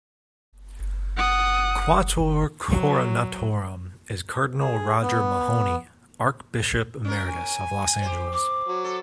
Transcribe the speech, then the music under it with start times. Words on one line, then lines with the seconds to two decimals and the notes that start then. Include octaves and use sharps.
Quattuor Coronatorum is Cardinal Roger Mahony, Archbishop Emeritus of Los Angeles.
1.17 F#5 D#6
2.70 F#3
4.61 G#4
5.02 B3
7.05 C#4 A#4
7.29 G#5
8.02 G4 C5
8.33 D6
8.68 F#3
8.84 A4